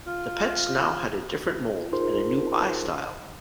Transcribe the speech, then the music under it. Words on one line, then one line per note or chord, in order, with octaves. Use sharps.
The pets now had a different mold and a new eye style.
F4
D#4 F4 G#4 A#4 C5 C6